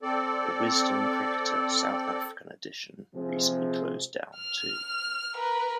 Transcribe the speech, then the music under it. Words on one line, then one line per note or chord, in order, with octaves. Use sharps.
"The Wisden Cricketer: South African edition" recently closed down, too.
C4 A4 D5
C3 F3 G#3 C4 G#4
F6
A#4 B4